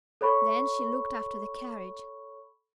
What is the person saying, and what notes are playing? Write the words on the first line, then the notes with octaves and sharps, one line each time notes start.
Then she looked after the carriage.
A4 C#5 B5 C#6